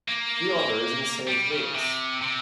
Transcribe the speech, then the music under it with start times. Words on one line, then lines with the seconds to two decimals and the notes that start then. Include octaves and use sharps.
The other is in Saint Louis.
0.08 A#3
1.28 G3
1.51 C#3
1.75 C3
2.21 C3